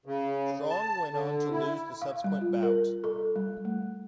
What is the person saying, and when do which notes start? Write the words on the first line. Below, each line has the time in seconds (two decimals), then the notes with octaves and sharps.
Strong went on to lose the subsequent bout.
0.06 C#3
0.69 A5
1.11 D3
1.51 E4
2.02 F5
2.24 G3
2.41 F4
2.63 A#4
3.04 A4
3.36 G3
3.65 A3